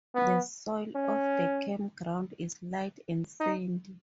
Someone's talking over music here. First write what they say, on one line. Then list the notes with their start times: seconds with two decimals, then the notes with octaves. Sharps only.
The soil of the campground is light and sandy.
0.15 B3
0.96 C#4
3.40 D#4